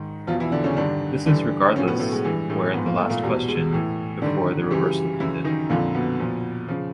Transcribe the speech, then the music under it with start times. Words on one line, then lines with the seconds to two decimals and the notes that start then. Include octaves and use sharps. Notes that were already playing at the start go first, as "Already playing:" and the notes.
This is regardless of where the last question before the reversal ended.
Already playing: G#2 D#3
0.27 E2 B2 F3 F4
0.40 E3 E4
0.52 D3 D4
0.64 C#3 C#4
0.76 G2 D3 D#3 D4
1.26 G2 D3 E3 D4
1.76 C#3 F3 C#4
1.80 A2
1.88 B2 B3
1.99 A2 A3
2.12 G#3
2.24 G2 E3 G#3
2.49 A2 A3
2.74 G#2 F3 B3
2.86 A#3
2.98 A3
3.09 A#2 A#3
3.23 E2 G3
3.26 B2
3.48 G#3
3.72 A2 E3
4.22 G2 D3 D#3 D4
4.71 F#2 C#3 E3 G3 G4
5.20 F#2 C#3 E3 E4
5.44 D#3 D#4
5.69 F2 A#2 D3 F3 A#3
5.94 B2 B3
6.19 A#2 F3
6.68 C#3 F3